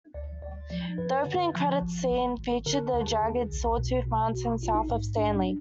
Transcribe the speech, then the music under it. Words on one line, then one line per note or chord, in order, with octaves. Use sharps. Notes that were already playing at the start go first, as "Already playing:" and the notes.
The opening credits scene featured the jagged Sawtooth Mountains south of Stanley.
D2 D5
D2 D5
F3 D5
F#2 B4
D3
F3
G#1
G#1
G#1
D3 A#4
D#2
G#4
D#2
B1
B2
B2
A#1 F#4
A#1 F4
D#4
G#2
A#1 D4
D4